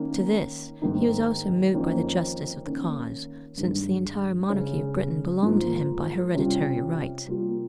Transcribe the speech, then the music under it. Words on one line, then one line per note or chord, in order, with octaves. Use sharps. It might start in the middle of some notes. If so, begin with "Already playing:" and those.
To this he was also moved by the justice of the cause, since the entire monarchy of Britain belonged to him by hereditary right.
Already playing: D#3 A#3 C#4
G#2 D#3 A#3 D#4
F2 D#3 A#3 C#4
D#3 A#3 C#4
G2 D#3 G#3
C#3 G#3 C#4
G#2 F3 A#3
C3 G3 C#4 F4
C3 G3 A#3 F4